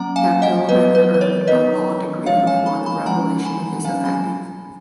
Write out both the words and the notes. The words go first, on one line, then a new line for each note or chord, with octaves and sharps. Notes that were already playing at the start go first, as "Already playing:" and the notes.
Capill had earned a law degree before the revelation of his offending.
Already playing: F#3 A#3 C#4 F#5 A#5
F5 G#5
D#5 F#5
F#3 B3 B4 D#5
B4
B4
A#4 C#5
F#3 B3 B4 D#5
F3 G#3 C#4 C#5 F5
F5 G#5
G#5 B5
G#5 B5
F3 G#3 C#4 F#5 A#5
G#5 B5
A#5
F#3 C#4 F5 G#5
G#5 B5